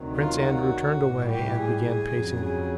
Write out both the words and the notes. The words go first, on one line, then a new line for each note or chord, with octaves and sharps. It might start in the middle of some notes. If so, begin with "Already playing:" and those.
Prince Andrew turned away and began pacing the room.
Already playing: D2 C3 D#3 F#3
F4
F#4
A2 E3 G3
G4
G#4
G#4
F2 C#3 F#3
G#4